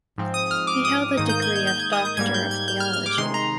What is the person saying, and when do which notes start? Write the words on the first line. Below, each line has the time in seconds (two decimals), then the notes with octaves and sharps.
He held the degree of Doctor of Theology.
0.18 G#2 F3 C4
0.34 D#6
0.51 F6
0.67 D6
0.85 D#6
1.17 G#2 D#3 A#3 D#4 D#6
1.29 G6
1.42 G#6
1.56 G6
1.67 G6
1.80 G#6
1.93 D#6
2.05 G6
2.17 G#2 G3 A#3 G#6
2.34 G6
2.51 G#6
2.68 G6
2.80 F6
2.93 F6
3.06 D6
3.18 C3 D#3 G#3 D#4 C6
3.34 A#5